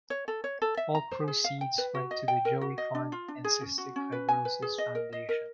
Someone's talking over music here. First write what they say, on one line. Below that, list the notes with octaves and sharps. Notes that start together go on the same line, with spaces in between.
All proceeds went to the Joey Fund and Cystic Fibrosis Foundation.
C#5
A4
C#5
A4
E5
A#5
C5
G#4
F5
G5
B4
F#4
D#5
G5
A#4
F#4
D#5
D4
F4
D4
G#4
C#4
F#4
C#4
B4
G#5
B4
G#4
D#5
A#4
D#5
A#4